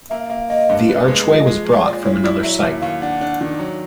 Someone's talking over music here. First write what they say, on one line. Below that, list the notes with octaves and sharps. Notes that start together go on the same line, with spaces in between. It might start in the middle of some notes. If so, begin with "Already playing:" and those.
The archway was brought from another site.
A#3 E5
A#3 E5
A#3 D#5
G2
B3
G#3
F3 D#5
G#3
G#3
C#5
A#2 D5
E4 C#5
E4 D5
F#3 E5
D#2 E5
D#2 F5
D4 F#5
D4
D#3
F#3